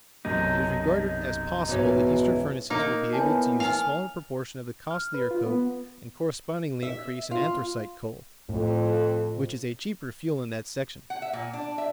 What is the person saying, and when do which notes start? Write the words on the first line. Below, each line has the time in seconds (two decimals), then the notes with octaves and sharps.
It is regarded as possible that Eastern furnaces will be able to use a smaller proportion of the costlier coke and correspondingly increase in anthracite coal, which is a cheaper fuel in that section.
0.25 B1 F#2 C3 D#4
1.68 G#2 B2 E3 C#4
2.70 A#3 D#4
3.13 B3 E4 C#5 G#5 A5
3.60 D#4 F5 G#5 A#5
4.91 F6
5.14 B4
5.31 F4
5.46 B3
6.83 E5
7.31 F4
8.49 F2 A2
11.10 F#5
11.22 E5
11.33 A#2
11.53 D4
11.78 E5